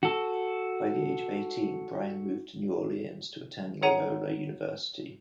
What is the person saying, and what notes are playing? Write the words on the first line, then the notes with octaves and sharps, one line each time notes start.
By the age of eighteen, Brian moved to New Orleans to attend Loyola University.
F#4 A4
G#4 C#5 F#5 A#5 D#7